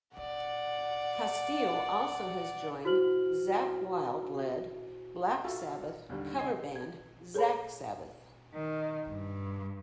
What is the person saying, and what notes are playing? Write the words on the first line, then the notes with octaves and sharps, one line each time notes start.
Castillo also has joined Zakk Wylde-led Black Sabbath cover band Zakk Sabbath.
D5 F#5
E4 F#4 C5 F6 F#7
F4 F#4 A4 E5 F5
D#2 D3 G3
C#3 C#5 D#5 G#5 G#6 C7
G#6
G#4 A4 C#5 A5 B5
D#3
G2